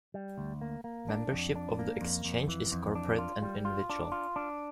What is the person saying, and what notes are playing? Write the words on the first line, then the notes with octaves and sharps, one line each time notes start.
Membership of the Exchange is corporate and individual.
G3
D2
A#3
A#3
D4
F2
D4
A#3
F2
F2
E3
F2
D4
F4
G3
F4
D4
F4
D4